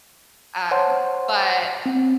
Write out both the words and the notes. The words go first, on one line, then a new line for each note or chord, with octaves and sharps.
um, but
C5 C#5 F#5 A5 C6
C4